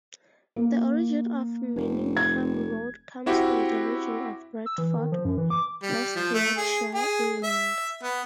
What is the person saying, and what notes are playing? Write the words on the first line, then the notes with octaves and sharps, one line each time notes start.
The origin of Manningham Road comes from the region of Bradford, West Yorkshire, England.
A#3
F1
G#6
C4 E4 F#4 G4
E6
E3
D#3
F3
F#2
E3
D6
G3
F3
A3
G#4
G#4
E5
B3